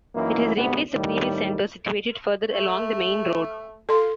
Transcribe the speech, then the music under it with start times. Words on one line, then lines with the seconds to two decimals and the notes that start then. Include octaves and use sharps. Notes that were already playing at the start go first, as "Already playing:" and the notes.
It has replaced the previous centre situated further along the main road.
0.15 F#2 E3 A#3 D#4 E4
0.56 D2 G#2 C3 B3
0.93 D#2 A2 D#3 G3
2.52 A3
3.89 F4 A4 C6